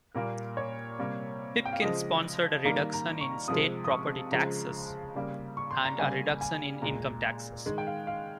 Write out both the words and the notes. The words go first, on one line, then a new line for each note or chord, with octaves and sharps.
Pipkin sponsored a reduction in state property taxes and a reduction in income taxes.
A#2 G3 A#3 A#4
C#5
C3 G3 A#3
G5
F5
C#3 F3 G#3 D#5
D#3 G3 A#3 A#5
A#5
C#6
C3 F3 G#3 D#6
D#6
C#6
C#3 F3 G#3 A#5
C#3 G3 A#3
C#6
C6
A#5
C#3 G3 A#3 G#5
G#5
A#2 G#3 A#5
D#3 G#3
G5
F5
F5